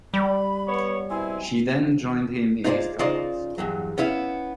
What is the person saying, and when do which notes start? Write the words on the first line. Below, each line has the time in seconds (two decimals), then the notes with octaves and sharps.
She then joined him in his travels.
0.14 G3 B5
0.68 B3 C#5
1.10 B2 C4 E4 G#5
2.64 D#4 F4 G#4 A#4 C5 D5
2.99 C#3 D#4 F4 C5 D5 D#5
3.58 E2 G2 F#3
3.98 B3 C#4 E4 F5